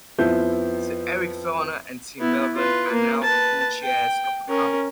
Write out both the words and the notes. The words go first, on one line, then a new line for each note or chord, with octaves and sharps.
Eric Fellner and Tim Bevan are now the co-chairs of the company.
F2 F3 B3 E4 G6
B3 E4
F4 B4
A#3
B4 A5
G5
C#4 A#4